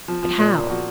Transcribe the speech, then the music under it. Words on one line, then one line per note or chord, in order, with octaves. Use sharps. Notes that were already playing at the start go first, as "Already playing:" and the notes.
But how?
F3
F3
A#2
A#2
F3 F#4